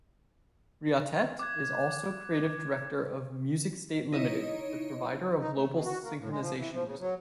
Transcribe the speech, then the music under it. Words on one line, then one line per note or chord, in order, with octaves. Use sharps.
Briottet is also creative director of Musicstate Limited, the provider of global synchronisation music.
D6 F#6 G#6
D#4 E4 C#5 D#5
D#4
A3
B2
F#4
A#3
A2
G#3
F3
E3
F3
C#3
F#3